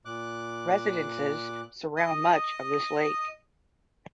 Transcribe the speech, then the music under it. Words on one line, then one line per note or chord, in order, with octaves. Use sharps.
Residences surround much of this lake.
A#2 D6 F#6
D#5 D#6